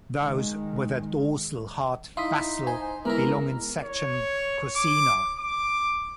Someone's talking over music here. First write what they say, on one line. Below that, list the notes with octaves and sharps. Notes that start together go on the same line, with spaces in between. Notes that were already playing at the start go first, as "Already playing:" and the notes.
Those with a dorsal heart vessel belong in section Cossina.
D#3 G#3
D#4 E4 F5 C6 D#6 B6
C5 G#5
E3 G#3 B3 E4 A#4 A#5
C#5
D6
D6